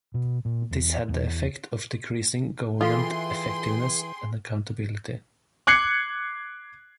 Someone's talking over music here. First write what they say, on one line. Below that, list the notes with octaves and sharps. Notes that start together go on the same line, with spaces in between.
This had the effect of decreasing government effectiveness and accountability.
B2
A#2
E2
E2
E3 F4 G#4 A4 F5 G5 C6
D6 F#6 G#6 C7 C#7